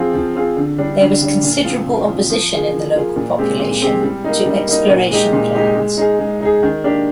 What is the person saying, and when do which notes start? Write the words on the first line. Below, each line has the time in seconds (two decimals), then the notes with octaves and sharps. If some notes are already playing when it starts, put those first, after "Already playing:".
There was considerable opposition in the local population to exploration plans.
Already playing: F3 C4 F4 G#4
0.14 F3
0.35 C4 F4 G#4
0.57 D3
0.78 G3 D4
1.00 D3
1.22 G3 D4
1.43 A#2
1.64 F3 C4 F4
1.87 A#2
2.08 F3 C4 F4
2.29 F3
2.52 A#3 F4 G#4
2.73 F3
2.95 A#3 F4 G#4
3.16 A#2
3.38 G#3 C4 G4
3.59 A#2
3.82 G#3 C4 G4
4.03 G3
4.24 A#3 D#4
4.46 G3
4.68 A#3 D#4
4.90 A#2
5.11 G#3 D#4 G4
5.33 A#2
5.54 G#3 D#4 G4
5.76 G#3
5.97 D#4 G#4
6.19 G#3
6.41 D#4 G#4
6.63 D#3
6.84 A#3 D4 G4